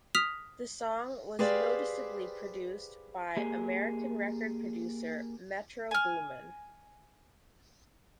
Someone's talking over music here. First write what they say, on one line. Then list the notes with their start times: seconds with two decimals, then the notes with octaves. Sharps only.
The song was noticeably produced by American record producer Metro Boomin.
0.15 D#6 F6 B6 F7
1.39 G4 G#4 B4 C5 D5 F5
3.37 A#3 G4 G#4
5.91 G#5 F6